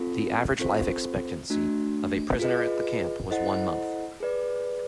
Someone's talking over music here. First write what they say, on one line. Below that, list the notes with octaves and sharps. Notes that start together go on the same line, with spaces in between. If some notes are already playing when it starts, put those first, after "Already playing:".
The average life expectancy of a prisoner at the camp was one month.
Already playing: C4 F4 A4
C4 F4 A4 C5
A3 D4 F#4
F4 G#4 B4 D#5
E4 A4 C5 D#5 F#5
G#4 B4 D5